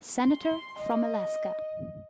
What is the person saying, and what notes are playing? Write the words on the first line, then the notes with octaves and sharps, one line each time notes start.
Senator from Alaska.
C6
D#5